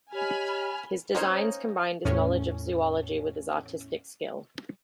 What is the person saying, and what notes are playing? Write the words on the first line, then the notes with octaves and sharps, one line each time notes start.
His designs combined his knowledge of zoology with his artistic skill.
G4 C#5 D#5 G#5 B5 F6
A#3 C#4 D#4 C5 C#5
E2 A2 C#4